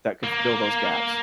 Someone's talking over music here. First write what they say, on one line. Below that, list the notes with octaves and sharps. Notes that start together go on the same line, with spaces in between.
that could fill those gaps.
A#3